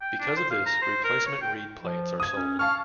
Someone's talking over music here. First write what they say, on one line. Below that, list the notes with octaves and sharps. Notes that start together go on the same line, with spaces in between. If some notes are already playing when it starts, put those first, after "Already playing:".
Because of this, replacement reed plates are sold.
G5
D4
C5
F5
A#5
C5
A#4
C#5
G5
F3
D#6 G#6
C#4
F5 A5 C#6 F6